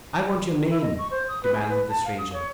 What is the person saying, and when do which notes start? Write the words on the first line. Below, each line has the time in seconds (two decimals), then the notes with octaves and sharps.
"I want your name," demanded the stranger.
0.69 E4
0.82 D#5
0.98 C#6
1.10 C5
1.28 D#6
1.43 B4
1.54 G#4
1.68 B4
1.88 A5
2.05 F5
2.18 D#6
2.32 C#5